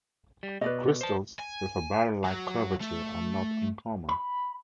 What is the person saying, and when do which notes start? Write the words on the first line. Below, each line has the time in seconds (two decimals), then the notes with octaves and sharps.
Crystals with a barrel-like curvature are not uncommon.
0.43 G3
0.61 B2 B4 D5 D#5
1.01 C5 A5
1.39 G#5
2.24 F#3
2.80 A3
4.09 B5